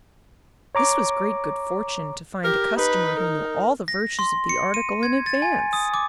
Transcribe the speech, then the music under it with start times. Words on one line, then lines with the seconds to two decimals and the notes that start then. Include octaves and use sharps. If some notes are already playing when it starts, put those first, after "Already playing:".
This was great good fortune, to find a customer who knew all the virtues of the article in advance.
0.75 C#5 A#5 D6
2.44 G4 A#4
2.77 D#4 B4
3.19 A#4
3.88 A#6
4.19 C6
4.49 C#7
4.74 D#7
5.03 G#6
5.26 A6
5.42 G#5
5.73 D#6
5.94 D6